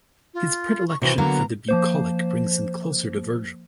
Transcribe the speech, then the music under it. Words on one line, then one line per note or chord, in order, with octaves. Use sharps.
His predilection for the bucolic brings him closer to Virgil.
F4
C#6
C3 E3 F#4
D3 F#3 A#3 B3 A#5
F3 A#3 C5